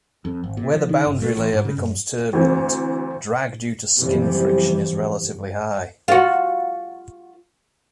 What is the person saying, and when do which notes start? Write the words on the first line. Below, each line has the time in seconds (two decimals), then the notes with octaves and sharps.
Where the boundary layer becomes turbulent, drag due to skin friction is relatively high.
0.25 F2
0.44 G#1
0.57 A#2
0.74 F3
0.89 D#3
1.05 G1
1.22 A3
1.37 A1
1.53 G#2
1.65 C#3
1.77 F#2
2.33 D2 E3 C4
3.98 F#1 C3 E3 F3 G3
6.08 F4 F#4